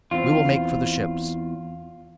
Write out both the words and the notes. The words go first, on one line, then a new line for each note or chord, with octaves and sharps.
We will make for the ships.
E2 C4 F4